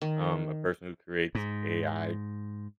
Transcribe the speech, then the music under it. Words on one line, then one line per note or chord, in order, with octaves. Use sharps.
um, a person who creates AI
D#3
G#2